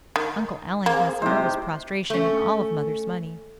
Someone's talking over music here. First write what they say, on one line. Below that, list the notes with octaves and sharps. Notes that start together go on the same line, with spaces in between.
Uncle Allan has nervous prostration and all of mother's money.
D#3
A#3 C4 G#4
C3 G#3 D#4 E4 C5
A3 C#4